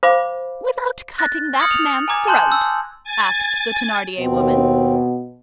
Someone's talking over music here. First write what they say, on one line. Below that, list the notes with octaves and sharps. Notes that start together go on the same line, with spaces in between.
"Without cutting that man's throat?" asked, the Thenardier woman.
C5 F5 B5 D6
F#6 A6 A#6
D#6 F6 G#6 A#6 C#7 F#7
F7
G#5 A#5 D6 G#6
G#5 A5 C6 F#6 G6 F#7
E6
G#5 A6
D#2 B2 C4